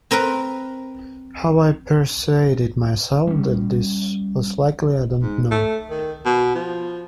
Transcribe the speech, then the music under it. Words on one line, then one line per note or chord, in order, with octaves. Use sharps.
How I persuaded myself that this was likely, I don't know.
C4 A#4 B4 A#5
G3 C#4
G#2
A3
D#3
B2
F3